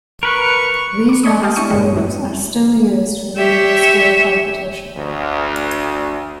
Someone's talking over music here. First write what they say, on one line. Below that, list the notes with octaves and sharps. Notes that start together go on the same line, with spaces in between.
These last rules are still used for the Middle School competition.
A#4 B4 C#6
D6 C#7
D5 D#5 G#5 B5 C#6 D#6
G4 D#5 F5 G5 A5
D4 E4 C#6 D#6 C#7
G2 A#2 C#3 E3 G3 G#3
F#2 E3 F#3
G4 C#5 E5
D2